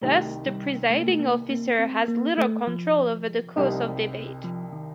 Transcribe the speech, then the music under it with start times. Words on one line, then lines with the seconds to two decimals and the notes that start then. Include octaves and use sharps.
Thus, the presiding officer has little control over the course of debate.
0.02 C2 C3 D#3 A3
0.46 G3
0.90 A3
1.00 A#3
1.08 A3
1.20 A#3
1.50 A#3
1.79 C4
2.08 A#3
2.38 A3
2.67 F3
3.56 C2 C3 G3 C4 D#4
4.44 F3
4.73 D#3